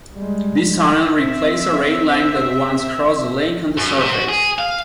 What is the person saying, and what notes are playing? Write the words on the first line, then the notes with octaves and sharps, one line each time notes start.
This tunnel replaced a rail line that once crossed the lake on the surface.
G3 G#3
C4 E5
F#2
C3
F#4
G#4
F5